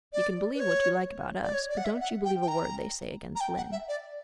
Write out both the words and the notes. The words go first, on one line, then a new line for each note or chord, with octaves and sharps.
You can believe what you like about us, but don't you believe a word they say against Lynde.
D5
B4
C#5
D5
C#5
D5
F#5
E5
F#5
G5
G5
A#5
A#5
G5
F#5
E5
D5